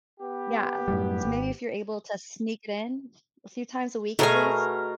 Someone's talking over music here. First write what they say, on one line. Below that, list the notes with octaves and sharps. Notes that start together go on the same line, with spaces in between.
yeah, so maybe if you're able to sneak it in a few times a week at least.
B3 G4
F#2 A2 G3
G#1
B2 A3 G#4 A#4 G#5